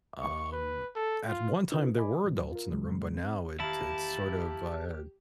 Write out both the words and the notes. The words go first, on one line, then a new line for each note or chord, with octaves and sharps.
Um, at one time there were adults in the room, but now it it's sort of, uh
C#6
B4
A4
F4
D4 D#4 F4 A4 B4
D#5 G#5 B5 D6
E2 A2 F#3
F4 A#4
F#2 A2 C#3 E3 F#3 G#3
C4
E1 D#3 A#3 E4 G4 A5